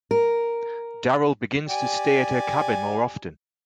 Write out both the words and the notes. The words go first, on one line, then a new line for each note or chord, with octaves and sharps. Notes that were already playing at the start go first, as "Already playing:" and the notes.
Daryl begins to stay at her cabin more often.
A#4
G4 D5 G#5